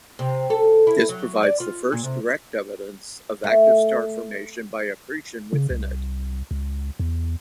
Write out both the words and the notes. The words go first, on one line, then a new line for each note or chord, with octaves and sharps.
This provides the first direct evidence of active star formation by accretion within it.
C3
A4
E4
F#3
D5
F4
A#2
C3
A3
C#3
C2
C#2
E2